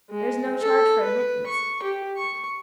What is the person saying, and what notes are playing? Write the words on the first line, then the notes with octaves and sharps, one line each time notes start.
There's no charge for admittance.
G#3
A4
B4
C#6
G4
C#6